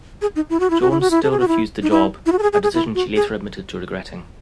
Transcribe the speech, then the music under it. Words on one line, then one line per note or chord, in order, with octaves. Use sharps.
Jones still refused the job, a decision she later admitted to regretting.
G#4
D#4
E4
F#4
E4
F#4
E4
F#4
E4
A4
G#4
F#4
E4
D#4
E4
E4
F#4
A4
G#4
G#4
G#4
E4
F#4
G#4